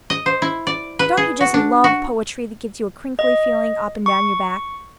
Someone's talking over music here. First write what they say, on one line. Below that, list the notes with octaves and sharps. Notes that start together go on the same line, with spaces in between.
Don't you just love poetry that gives you a crinkly feeling up and down your back?
D#5
C5
E4
D5
B4
G#4
F#4
D4
F#4
D#5
C#6